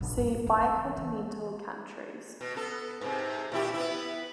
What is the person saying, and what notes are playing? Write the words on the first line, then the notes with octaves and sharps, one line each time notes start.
See Bicontinental countries.
A#1
G2
F4
C4
C4
E3
E3
B2
B3 A4
G#2 C3
A#2 E4 G4
B3 E4